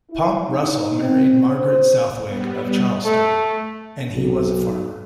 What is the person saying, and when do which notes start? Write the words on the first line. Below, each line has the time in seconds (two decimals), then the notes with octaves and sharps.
Pomp Russell married Margaret Southwick of Charlestown, and he was a farmer.
0.10 E4
0.47 D#4
0.99 C4
1.48 C5
2.25 G3 B3
3.04 A3
4.14 B1